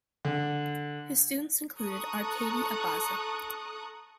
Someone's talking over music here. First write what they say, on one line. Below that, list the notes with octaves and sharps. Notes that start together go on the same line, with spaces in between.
His students included Arkady Abaza.
D3
A4 A#5 C#6 D#6 F#6